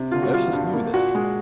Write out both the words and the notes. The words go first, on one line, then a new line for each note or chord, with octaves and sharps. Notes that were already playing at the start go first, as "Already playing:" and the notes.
Ursus knew this.
Already playing: C3
D3 F4
F#4
G3 F4
G2
A#3
A#2 F#4
G#3